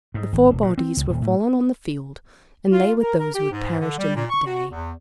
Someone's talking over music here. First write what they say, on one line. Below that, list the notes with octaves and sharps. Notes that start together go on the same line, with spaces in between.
The four bodies were fallen on the field, and lay with those who had perished in that day.
G#2
G#1
E1
A#2
C4
C#2
D#1
A2
F4
A#4
A#4
G4
G#2
D3
G3
A#2
C#6
F#4
E2